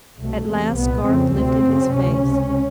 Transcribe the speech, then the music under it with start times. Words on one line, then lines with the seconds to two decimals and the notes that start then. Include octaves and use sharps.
At last Garth lifted his face.
0.19 C2 B2 A3
0.49 E2 C3
0.77 C2 A#2 B3
1.07 F2 C#3 C4
1.36 D2 C3 C4
1.65 F#2 C#3
1.94 D2 C3 C#4
2.24 C#2 C3